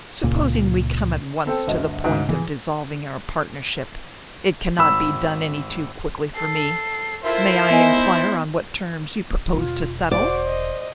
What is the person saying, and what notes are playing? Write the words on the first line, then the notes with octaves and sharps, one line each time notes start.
"Supposing we come at once to the point of dissolving our partnership; it cannot be done any too quickly for me. May I inquire on what terms you propose to settle?"
C#2 A#2
C4 A4 C5 G5
G1 D2 D#5
D2 G#2 C#3
E3 G#4
G#1 B5 E6
A4 C7
E4 F4 A4 A#4 C5 E5
B3 D#4 D#5 G#5
E1 D3 F4
F#4 C5 D5 D6
D#5